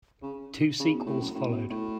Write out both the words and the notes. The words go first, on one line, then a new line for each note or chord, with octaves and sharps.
Two sequels followed.
C#3
C#3
B2
A2
F#2
A2
B2
A2